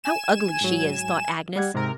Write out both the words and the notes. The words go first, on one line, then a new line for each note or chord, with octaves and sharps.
"How ugly she is!" thought Agnes.
G#5 E7
G#2 F#3
G3 F#5 G#6
G#2 C3 A#4